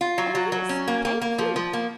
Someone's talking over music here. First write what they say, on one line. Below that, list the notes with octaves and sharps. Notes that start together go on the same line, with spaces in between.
Oh yes--thank you.
F4
F#3
F#3
F#3
C#4
A#3
A#3
A#3
F3
F3
A#3